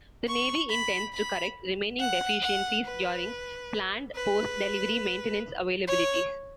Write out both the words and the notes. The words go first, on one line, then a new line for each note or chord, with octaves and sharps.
The Navy intends to correct remaining deficiencies during planned post-delivery maintenance availabilities.
C#6
B5
B5
F#5
F#5
B4
B4
C#5